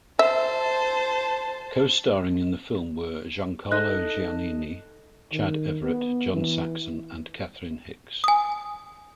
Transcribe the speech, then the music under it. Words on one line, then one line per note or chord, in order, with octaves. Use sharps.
Co-starring in the film were Giancarlo Giannini, Chad Everett, John Saxon and Catherine Hicks.
C5 E5 A5
D#4 A4 D#5 F#6
D#3
B3
E3
G#5 D#6